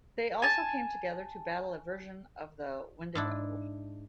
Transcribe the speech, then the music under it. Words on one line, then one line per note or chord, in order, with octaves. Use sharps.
They also came together to battle a version of the Wendigo.
G#5 A5
G#2 D4 E4